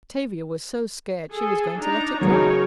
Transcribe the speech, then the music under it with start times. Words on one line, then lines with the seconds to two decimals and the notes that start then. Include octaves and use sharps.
"Tavia was so scared she was going to let it drop."
1.32 G#4 A4
1.79 D4 D#4 A#5
2.21 C#3 F#3 D#4 A#4 C#5